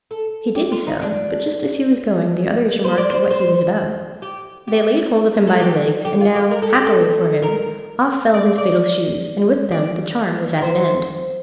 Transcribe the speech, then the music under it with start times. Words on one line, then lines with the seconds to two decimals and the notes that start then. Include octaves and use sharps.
He did so; but just as he was going, the others remarked what he was about; they laid hold of him by the legs; and now, happily for him, off fell his fatal shoes--and with them the charm was at an end.
0.11 A4
0.56 G4
0.72 F4
0.87 D#4
1.02 D4
2.85 C5
2.98 D5
3.10 C5
3.31 C5
4.22 G4
4.68 G4
5.47 A4
5.60 G4
6.05 G4
6.21 F4
6.35 G4
6.51 A#4
6.62 A4
6.74 G4
6.85 A4
7.42 A#4
8.34 D5
8.58 D5
9.71 D5
10.58 A#4
10.62 C5